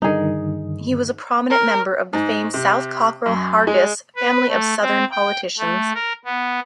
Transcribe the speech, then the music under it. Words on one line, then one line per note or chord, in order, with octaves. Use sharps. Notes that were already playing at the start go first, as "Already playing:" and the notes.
He was a prominent member of the famed South-Cockrell-Hargis family of Southern politicians.
G2 D3 D#3 D#4 G#4
A#4
G#2
C3
F#2
G#3
B4
A3
C4
G5
A3
A#4
B3